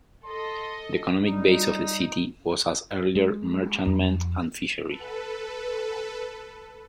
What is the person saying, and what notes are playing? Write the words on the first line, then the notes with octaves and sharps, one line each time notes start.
The economic base of the city was as earlier merchantmen and fishery.
A4 D#5 C6
G3 D#4
G#3
F2
A4 B4